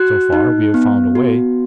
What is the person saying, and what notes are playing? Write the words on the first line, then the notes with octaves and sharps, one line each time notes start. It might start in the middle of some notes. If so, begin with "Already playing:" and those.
So far we have found a way.
Already playing: F#4 F#6
D#4
B3
F#4